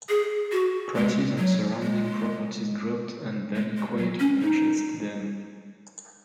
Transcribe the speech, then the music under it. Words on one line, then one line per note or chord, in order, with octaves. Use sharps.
Prices on surrounding properties dropped and Daly quietly purchased them.
G#4
F#4
G#3
F#3
G#3
G#3
G#3
F#3
C#4
D#4